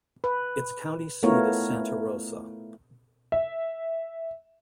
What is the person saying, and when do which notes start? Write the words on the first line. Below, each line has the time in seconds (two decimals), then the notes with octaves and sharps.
Its county seat is Santa Rosa.
0.24 B4
1.23 A3 B3 E4 F4 A#4 C#5
3.32 E5